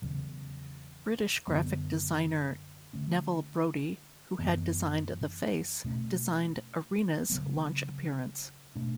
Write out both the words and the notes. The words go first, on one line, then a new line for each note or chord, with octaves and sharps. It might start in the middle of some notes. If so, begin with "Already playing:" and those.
British graphic designer Neville Brody, who had designed "The Face," designed "Arena's" launch appearance.
E2 C#3 F#3
F#2 D3 F#3 B3
D3 A3 C#4
F#2 E3 B3
B2 A3 C#4
C#3 F#3 B3
B2 A3 D4